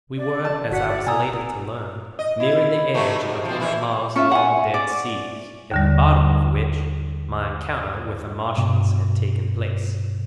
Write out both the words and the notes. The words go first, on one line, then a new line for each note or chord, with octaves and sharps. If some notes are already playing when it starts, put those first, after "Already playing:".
We were, as I was later to learn, nearing the edge of one of Mars' long-dead seas, in the bottom of which my encounter with the Martians had taken place.
D5
A5
G1 F#4 F#5 B6
D5
B2 G#5 A#5 D#6 E6 G6
D#5
E4
F#3 G3 A3
G#2
F3 C4
E2 E3 E4
C#4 F4 E5 C#6
F#5 G#5
D5
D#2 D3 G3
G2 B2